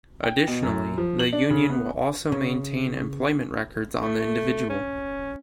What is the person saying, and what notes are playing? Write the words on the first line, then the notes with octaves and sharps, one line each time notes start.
Additionally, the union will also maintain employment records on the individual.
G5
B2
F#2
F3
F#7
D4
C#3
B3
C#3
A3
C#4